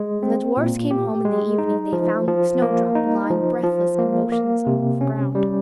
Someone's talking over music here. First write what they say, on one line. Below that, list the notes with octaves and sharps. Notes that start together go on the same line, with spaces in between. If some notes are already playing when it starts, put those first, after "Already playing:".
When the dwarfs came home in the evening, they found Snowdrop lying breathless and motionless on the ground.
Already playing: G#3
C4
A#2
G4
G#3
D#4
F3
F3
A#3
D#4
F3
F3
A#3
A#3
C3
C#4
G3